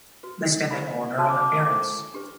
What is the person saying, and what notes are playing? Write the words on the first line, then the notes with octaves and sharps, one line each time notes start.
Listed in order of appearance.
F#4 B4
E4 G4 C5 B5
F#4 A4 C5 A5
D6
D6
E6
E4 A4 C5 D6
D4 G4 B4